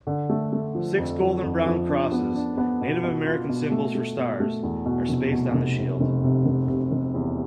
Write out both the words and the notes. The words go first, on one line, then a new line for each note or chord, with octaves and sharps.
Six golden brown crosses, Native American symbols for stars, are spaced on the shield.
D3
A3
A3
F3
F2
F3
F2
F3
D4
B3
D4
B3
B2
B2
F4
B2
A3
A3
B2
A3
E2
B2
F1
B2
F1
C3
F1
C3
F1
C3
F1
E2